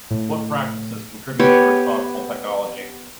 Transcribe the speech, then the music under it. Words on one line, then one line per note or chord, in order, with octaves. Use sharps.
What practices contribute to responsible technology?
A2
B3 G4 C#5